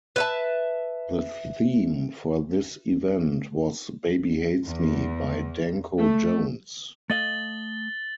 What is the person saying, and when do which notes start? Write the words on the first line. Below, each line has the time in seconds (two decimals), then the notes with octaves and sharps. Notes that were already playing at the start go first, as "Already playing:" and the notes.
The theme for this event was "Baby Hates Me" by Danko Jones.
0.16 B4 E5 A5
4.65 E2
5.98 A3
7.10 A3 D#5 F5 A6 F#7 G7